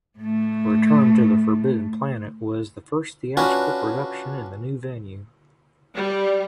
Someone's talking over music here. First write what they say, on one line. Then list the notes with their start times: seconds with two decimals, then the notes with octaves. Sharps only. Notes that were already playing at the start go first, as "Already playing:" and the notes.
"Return to the Forbidden Planet" was the first theatrical production in the new venue.
0.19 A2 A3
3.37 C#4 D4 F4 F#4 B4
5.95 G3